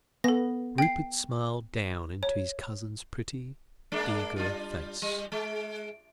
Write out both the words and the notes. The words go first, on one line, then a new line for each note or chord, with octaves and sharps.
Rupert smiled down into his cousin's pretty, eager face.
B3 A4 A#6
G5 C7
C#5
G#3 A#3 D4
G3 D4 F4
G3
G#3